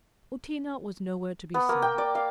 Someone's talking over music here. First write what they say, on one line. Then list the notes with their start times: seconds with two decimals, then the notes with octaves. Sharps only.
Outina was nowhere to be seen.
1.54 B3
1.69 A#3
1.82 G5
1.98 D5
2.15 F5